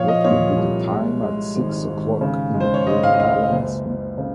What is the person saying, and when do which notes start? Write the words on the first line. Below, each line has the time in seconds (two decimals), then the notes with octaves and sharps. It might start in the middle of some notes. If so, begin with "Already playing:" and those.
What will be the time at six o’clock in the Virgin Islands?
Already playing: A#2 F3 C#5 F5
0.08 D#5
0.24 A#2 C#5
0.57 C2
0.90 G#3
1.23 G#3
1.55 G#1
1.88 G#1
2.21 C#3
2.54 G#3
2.60 C5
2.74 C#5
2.87 G#3 D#5
3.03 F5
3.13 D#5
3.20 C#2 F5
3.52 F#1
3.86 F#1
4.18 C#3